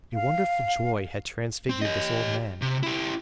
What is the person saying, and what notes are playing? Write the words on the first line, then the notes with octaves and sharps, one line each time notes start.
A wonderful joy had transfigured this old man.
F5
C4
G4 D#5
C3
E4 G4